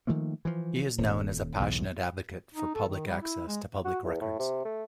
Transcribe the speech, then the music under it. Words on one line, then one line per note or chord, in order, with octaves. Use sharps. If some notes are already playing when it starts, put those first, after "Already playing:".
He is known as a passionate advocate for public access to public records.
D#3 F3 A3 A#3
E3 F3
D#1
B1 E2 G#2
D#4
A4
D#3
G3
E4
G#3
F#4
E2
A2
C3
A3